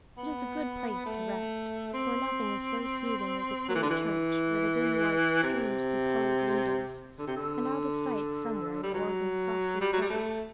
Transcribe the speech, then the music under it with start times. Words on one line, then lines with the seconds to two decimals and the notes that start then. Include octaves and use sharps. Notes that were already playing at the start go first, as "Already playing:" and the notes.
It is a good place to rest: for nothing is so soothing as a cool church where the dim light streams through colored windows, and out of sight somewhere an organ softly plays.
0.18 B3
1.06 A3
1.93 C4
3.69 F#3
3.75 E3
3.83 D3
3.90 E3
5.43 C3
7.19 D3
7.27 C3
7.37 D3
8.83 G3
8.94 F#3
9.81 G3
9.93 F#3
10.02 G3
10.10 A3